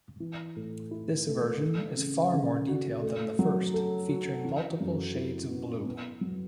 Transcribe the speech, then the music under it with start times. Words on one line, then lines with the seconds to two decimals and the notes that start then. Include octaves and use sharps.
This version is far more detailed than the first, featuring multiple shades of blue.
0.20 E3
0.56 A2
0.91 E4
1.27 A3
1.62 A3
1.97 C#3
2.33 C#3
2.68 F#4
3.03 A3
3.39 F#3
3.74 A4
4.09 F#4
4.45 E3
4.80 F#2
5.15 E4
5.51 B3
5.85 B3
6.21 F#3